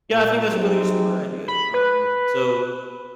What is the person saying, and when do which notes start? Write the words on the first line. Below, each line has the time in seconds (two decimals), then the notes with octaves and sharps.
yeah, I think that's really a smart idea, um, so,
0.10 A#2
0.52 F#3 A3 C4 D#4 G4 G#4
1.48 B5
1.74 B4